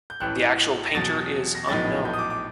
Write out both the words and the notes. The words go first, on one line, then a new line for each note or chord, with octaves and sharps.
The actual painter is unknown.
G6
A1 A2 E3 F#6
A#6
E2 B2 F#3 A6
A#6
A#1 A2 F#3 B3 D#4 A6
G6
D#6
D6
D6